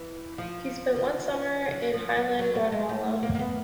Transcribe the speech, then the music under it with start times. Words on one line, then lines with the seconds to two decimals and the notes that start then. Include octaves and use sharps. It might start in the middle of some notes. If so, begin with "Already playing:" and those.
He spent one summer in highland Guatemala.
Already playing: E3
0.38 F3
1.72 F#3
1.94 F3
2.17 F#3
2.39 F#3
2.55 G3
2.72 G#3
2.89 A3
3.23 A#3
3.35 A#3
3.39 B3